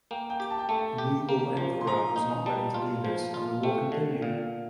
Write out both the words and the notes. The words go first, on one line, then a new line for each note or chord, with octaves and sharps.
The Mughal Emperor was not ready to do this and the war continued.
A#3 G5
G5
G4
A5
G5
A3 A5
G4
A#3
F3
C6
F3 A#5
D#4
G3 A5
F4
F3
F4
A3 G5
D3
A#2 F5